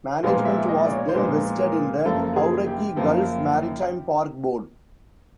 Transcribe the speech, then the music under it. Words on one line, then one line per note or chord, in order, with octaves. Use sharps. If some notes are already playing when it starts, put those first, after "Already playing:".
Management was then vested in the Hauraki Gulf Maritime Park Board.
A#2 F3 G#3 B3 D#4 F5
E5
D#5
D5
C#5
C5
A#2 F3 G#3 B3 D#4 B4
A#4
F#2 C#3 F3 A#3 A4
G#4
G4
F#2 C#3 F3 A#3